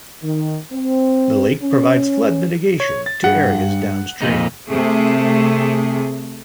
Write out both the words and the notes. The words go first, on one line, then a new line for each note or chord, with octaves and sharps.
The lake provides flood mitigation to areas downstream.
D#3
C4
C#4
C#5
A6
G2 F#5
F2 A#2 D#4
C3 A3 G#4